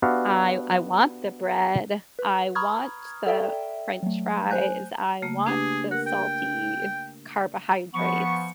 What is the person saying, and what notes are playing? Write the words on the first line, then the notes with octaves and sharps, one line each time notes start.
I I want the bread, I want the french fries, I want the salty carbohydrates.
B3 D4 F#4 G4 E5 F5
B4
A#5 B5 C#6 D#6 F6 G#6
A4 D5 E5 G5
F#3 A3
C5 G#5 F#6 G6
C#3 A3 A#3
D4 G4 G#4 B4
A#4 F#5
G5
F3 B3 C#6